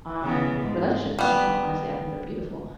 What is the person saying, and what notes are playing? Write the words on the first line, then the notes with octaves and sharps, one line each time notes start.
um, relationships in general, honestly, I think they're beautiful.
C#3 E3 B3
G#2
G3 B3